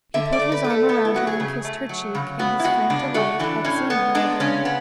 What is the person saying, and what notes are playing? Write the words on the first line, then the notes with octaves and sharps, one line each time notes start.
He put his arm around her and kissed her cheek in his frank delight at seeing her again.
D3 E5
D5
A3
B4
A3
A4
B3 A4
E4
F#3 F#4
G#4
C#3
A3
F#3
C#3
B3 F#4
E4
G#3 F#4
C#3 D4
A3 F#4
E3 D4
A2 C#4
B3
G#3 D4
C#3 C#4
B3